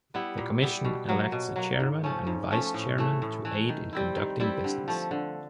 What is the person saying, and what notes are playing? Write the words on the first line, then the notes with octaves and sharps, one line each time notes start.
The commission elects a chairman and vice-chairman to aid in conducting business.
G3 B3 E4
A#2
G3 B3 E4
B2
F#3 A#3
B2
F#3 A#3
G#2
F3 A3 C#4
G#2
F3 A3 C#4
A2
E3 A3
A2
E3 A3
D#3
G3 C4 E4
D#3
G3 C4 E4
D3
F3 A3
D3